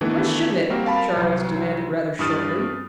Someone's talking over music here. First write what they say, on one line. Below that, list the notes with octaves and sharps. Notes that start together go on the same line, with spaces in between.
"Why shouldn't it?" Charles demanded rather shortly.
D#3 E3 A3 B3 D4
G3 A#3 C4 F#4 A#4
A#4 F5 A5 B5
C2 F#3
G2 E3 D#6 F6 A6